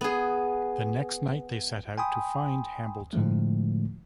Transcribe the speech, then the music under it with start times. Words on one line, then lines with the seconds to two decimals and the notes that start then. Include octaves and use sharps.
The next night they set out to find Hambleton.
0.01 B3 G#4
1.98 G5 G#5 B5 C6 D#6
3.13 A2 D3 F3 G#3 A3